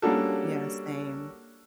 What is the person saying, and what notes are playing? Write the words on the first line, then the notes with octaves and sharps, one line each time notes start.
Yeah, same.
G3 A#3 C#4 D4 F#4 A4